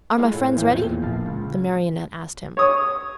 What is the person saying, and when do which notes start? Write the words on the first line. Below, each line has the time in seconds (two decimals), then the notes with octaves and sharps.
"Are my friends ready?" the Marionette asked him.
0.18 G#3 A3 E4 F4 F5 F#5
0.34 A2
0.57 A1 A2 E3 F3 G5
0.71 E2 A#2
1.02 A#1 F5 A5
1.26 C#2
2.57 C#5 D#6